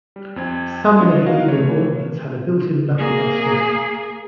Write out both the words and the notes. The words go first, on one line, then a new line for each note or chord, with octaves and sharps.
Some medieval gauntlets had a built-in knuckle duster.
G3
F2 C4 G#6
B3 D4 E4 F4 C#5 D#5
F#4 A#4 D#5 F5
E3 A3 C#5
A#3 G#4